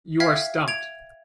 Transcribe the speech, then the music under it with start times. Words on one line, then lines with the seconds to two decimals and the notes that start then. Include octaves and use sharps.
You are stumped.
0.20 E5 F5 G5 F6 G#6 B6
0.68 G#6 D7 F7